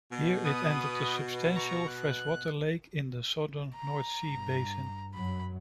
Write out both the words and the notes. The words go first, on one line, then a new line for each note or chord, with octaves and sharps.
Here it entered a substantial freshwater lake in the southern North Sea basin.
B2
B3 B4 D#6
A#5 C#6
F#6
A#5
G2
F#2 F#3 B5